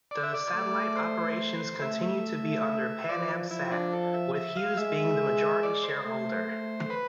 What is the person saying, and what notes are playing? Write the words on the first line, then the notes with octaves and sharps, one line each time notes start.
The satellite operations continued to be under PanAmSat with Hughes being the majority shareholder.
D5
E5
D5
A3
C5
A3 E5
E5
F3 D5
F3 E4
D4
A4
E5
E5
F5
G#3 E5
D5
C5
A3
A3
B4